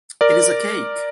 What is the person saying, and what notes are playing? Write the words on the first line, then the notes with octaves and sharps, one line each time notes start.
It is a cake.
A#4 D5